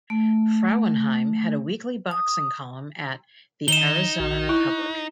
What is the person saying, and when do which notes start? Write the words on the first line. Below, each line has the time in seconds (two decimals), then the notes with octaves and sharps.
Frauenheim had a weekly boxing column at "The Arizona Republic".
0.10 A3
2.11 D#6
3.68 D#3 D#4 E7 G7
4.20 A#1 F#4
4.49 E4 C#6 F#6